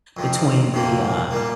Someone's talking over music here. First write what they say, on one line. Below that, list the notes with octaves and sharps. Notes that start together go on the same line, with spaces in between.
between the, uh,
F2 C3 F3
F2 C3 F3 A#3
A#2 G3 A#3